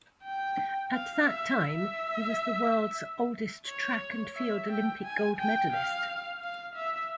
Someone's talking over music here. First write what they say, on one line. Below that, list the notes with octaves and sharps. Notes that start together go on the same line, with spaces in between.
At that time, he was the world's oldest track and field Olympic Gold medalist.
G5
F5
E5
E5
C#5
E5
G5
G#5
G5
F5
F5
E5